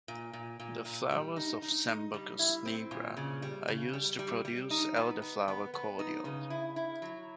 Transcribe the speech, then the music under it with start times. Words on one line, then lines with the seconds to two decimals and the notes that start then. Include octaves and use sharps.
The flowers of "Sambucus nigra" are used to produce elderflower cordial.
0.08 A#2
0.33 A#2
0.60 A#2
0.85 A#2
1.11 G3
1.36 D#4
1.62 D#4
1.88 D#4
2.14 G3
2.39 E4
2.65 C4
2.91 A#2
3.17 C#3
3.42 G3
3.68 C#3
3.94 G3
4.19 G3
4.45 G3
4.70 D#4
4.97 B3
5.22 B3
5.48 B3
5.74 B3
5.99 D#4
6.25 C#3
6.50 E4
6.76 E4
7.02 F#3